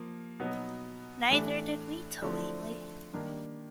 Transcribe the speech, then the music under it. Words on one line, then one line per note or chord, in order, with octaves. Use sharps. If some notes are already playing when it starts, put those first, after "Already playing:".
Neither did we till lately.
Already playing: F3 A#3
B2 F#3 B3 D#4
A2 E3 A3 D4
D3 F3 A3 C4 E4
D#3 G3 A#3 D4